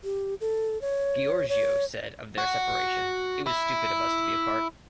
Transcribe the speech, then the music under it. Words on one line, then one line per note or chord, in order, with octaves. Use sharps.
Gheorghiu said of their separation, It was stupid of us to be apart.
G4
A4
C#5
C#5
F#4
E4